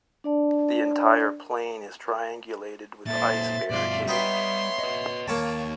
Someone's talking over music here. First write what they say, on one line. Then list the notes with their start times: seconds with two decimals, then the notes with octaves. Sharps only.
The entire plain is triangulated with ice-barricades.
0.24 D4 D5 A5
3.07 A#2 A4 C5 E5 A6
3.70 G2 B2 F4 D5
4.07 G3 B3 D#4 C#5 G5 C6
4.79 B4 D#5
5.28 D#2 A#3 C#5 G5 A5